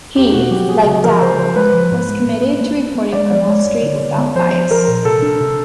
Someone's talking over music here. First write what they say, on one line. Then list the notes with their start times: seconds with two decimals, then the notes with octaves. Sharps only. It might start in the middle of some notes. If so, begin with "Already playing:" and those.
He, like Dow, was committed to reporting on Wall Street without bias.
0.16 E2 G4
0.33 B2 F#4
0.50 F#3 G4
0.68 F#3 G#4
0.85 C#3
1.04 F3 A#4
1.21 C#3 C5
1.38 F3 C5
1.56 G#3 B4
1.73 F3
1.91 G#2
2.09 G#3
2.26 A2
2.43 A#3
2.61 A#3
2.78 A#3
2.95 B3
3.12 G#3 D5
3.30 F3 D5
3.47 G#3 C#5
3.66 G2
3.83 D3
4.00 D3
4.18 B3
4.35 F3 C5
4.53 F3
4.71 F3 A#4
4.88 A#2
5.05 C3 A4
5.22 D4
5.40 C3